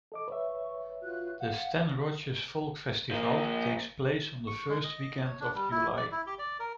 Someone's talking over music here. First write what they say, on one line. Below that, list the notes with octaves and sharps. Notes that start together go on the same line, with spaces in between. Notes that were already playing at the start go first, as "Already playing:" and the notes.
The Stan Rogers Folk Festival takes place on the first weekend of July.
A4 D#5 D6
B4 C#5 E5 C#6
F4 F#4 F#6
F5 F#5
F3 A#3
C#6
G#3
D#5
C#5
D4
G3
E4
D5
E4
G4
D5
A#4